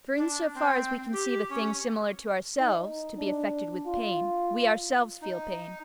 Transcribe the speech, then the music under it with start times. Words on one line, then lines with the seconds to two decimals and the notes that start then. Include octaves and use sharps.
For in so far as we conceive a thing similar to ourselves to be affected with pain, we ourselves feel pain.
0.17 D4
0.55 C4
1.13 G4
1.49 C#4
2.59 D#4
3.18 D4
3.86 F4
5.21 D#4